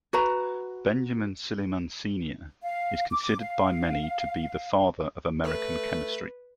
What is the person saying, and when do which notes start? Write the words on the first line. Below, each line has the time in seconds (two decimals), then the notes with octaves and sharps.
Benjamin Silliman Senior is considered by many to be the father of American chemistry.
0.13 F#4 B4 A#5
2.62 F5
3.11 D6
3.39 F5
5.44 A3 B4